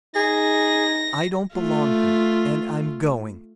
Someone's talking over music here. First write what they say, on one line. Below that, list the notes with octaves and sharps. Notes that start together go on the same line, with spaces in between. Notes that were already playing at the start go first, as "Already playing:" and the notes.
I don't belong here, and I'm going.
D#4 G#4 A#6
A3 F4